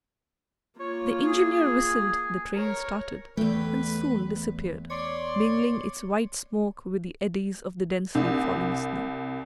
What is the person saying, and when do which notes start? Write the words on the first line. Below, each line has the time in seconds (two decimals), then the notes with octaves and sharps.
The engineer whistled, the train started, and soon disappeared, mingling its white smoke with the eddies of the densely falling snow.
0.80 A#3 F4 C#5
1.26 G#4
2.56 A#4 C#5
3.37 E2 A3 B4 G5
4.91 C#5 D5 C6 D6
8.15 C2